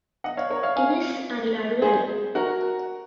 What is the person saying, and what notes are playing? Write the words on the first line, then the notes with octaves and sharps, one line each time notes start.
Innis and Laruelle.
D#5 F#5
C#5 F5
A#4 C#5
C#5 F5
F5 G#5
G#4 C5
F#4 A#4